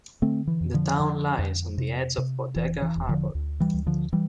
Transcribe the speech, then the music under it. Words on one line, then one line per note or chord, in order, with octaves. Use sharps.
The town lies on the edge of Bodega Harbor.
D3 A3 C4
E3
F2
D3 F3
D3
F2
C3
C3
E1 E3
E3
E1
D3 F3
D2
E3 G3
D2
D3 F3
E3 G3